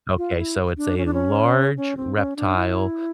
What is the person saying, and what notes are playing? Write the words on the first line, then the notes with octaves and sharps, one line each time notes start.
Okay, so it's a large reptile
F4
E4
D4
C#4
D4
C#4
C#4
C4
C#4
D4
E4